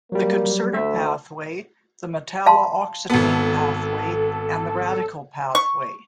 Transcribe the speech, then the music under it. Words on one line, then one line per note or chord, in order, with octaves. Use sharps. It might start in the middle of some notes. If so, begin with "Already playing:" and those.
The concerted pathway, the metalla oxetane pathway and the radical pathway.
F#3 G3 A#3
D2 A3 E5
F5 A5 C6
G#1 B3 A4
C#6